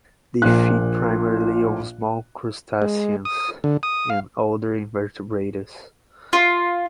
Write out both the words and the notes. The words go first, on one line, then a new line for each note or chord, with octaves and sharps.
They feed primarily on small crustaceans and other invertebrates.
A#1 A#2 F#6
G#3
D#6
D3
D#6
F5
F4